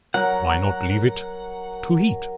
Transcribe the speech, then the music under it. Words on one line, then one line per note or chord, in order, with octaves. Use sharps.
"Why not leave it to Heat?"
F#3 A#4 F#5